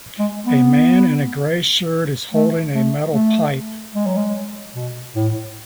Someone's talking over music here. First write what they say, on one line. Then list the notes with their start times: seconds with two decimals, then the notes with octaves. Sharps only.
A man in a gray shirt is holding a metal pipe.
0.19 G#3
0.47 B3
2.33 A3
2.74 A3
3.15 A3
3.95 G#3
4.06 F#3
4.17 G#3
4.75 B2
5.15 A2